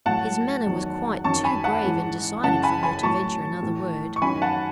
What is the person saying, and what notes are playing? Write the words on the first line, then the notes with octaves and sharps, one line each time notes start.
His manner was quite too grave and decided for her to venture another word.
A2 F#3 F#5 A5
E2 D#3 F#3
F#2 D#3 F#3 A5 C#6
G#5 B5
F#5 A5
G#2 E3
F#2 C#3 E3 F#5 A5
G#5 B5
G#5 B5
A2 F#3 A5 C#6
A2 E3
C#6
F#2 D#3 F#3 G#5 B5
F#5 A5